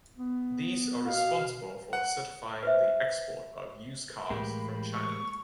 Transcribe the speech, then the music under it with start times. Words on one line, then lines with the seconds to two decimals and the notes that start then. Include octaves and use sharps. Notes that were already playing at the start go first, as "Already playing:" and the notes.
These are responsible for certifying the export of used cars from China.
0.17 B3
1.07 B2 F5
1.93 F#5
2.63 B4 C5 E5
4.30 A2 E3 G#3 A#3 G4 B5
4.93 C#6